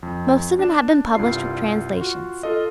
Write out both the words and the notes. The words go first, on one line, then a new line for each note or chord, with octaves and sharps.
Most of them have been published with translations.
F2
D4 D5 E7
C2 G2 F4 C7
F4 F#4
F4 A4 D#5